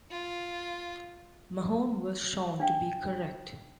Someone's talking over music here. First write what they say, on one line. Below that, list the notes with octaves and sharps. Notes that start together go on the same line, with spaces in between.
Mahon was shown to be correct.
F4
D4 F5 G5